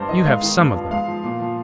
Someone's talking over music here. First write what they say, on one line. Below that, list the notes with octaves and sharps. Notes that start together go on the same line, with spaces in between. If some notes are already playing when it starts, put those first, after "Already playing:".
You have some of them.
Already playing: G2 C5
D#3 D#5
G#2 F5
D#3
G2
F3
G#2 F5
F3
A#2
F3